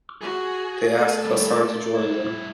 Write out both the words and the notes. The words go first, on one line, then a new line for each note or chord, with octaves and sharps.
They asked Hassan to join them.
F#4 G#4
A3 A4
G3 B3
D5
G2 E4